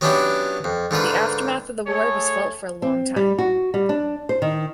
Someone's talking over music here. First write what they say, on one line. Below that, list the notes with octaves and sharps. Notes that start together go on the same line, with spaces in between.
The aftermath of the war was felt for a long time.
F#3 B3 C#4 D4 E4 G4
F2
G#2 D3 F4 B4
A3 G#4 A4 C#5
C4
G3
F#4
G3
D4
C5
D#3